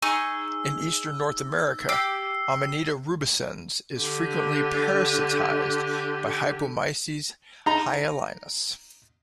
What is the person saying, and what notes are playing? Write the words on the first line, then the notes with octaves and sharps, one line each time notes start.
In eastern North America, Amanita rubescens is frequently parasitized by Hypomyces hyalinus.
D#4 G#4 C#6 E6
G4 E6 C7
D3 G4
D#4 A#5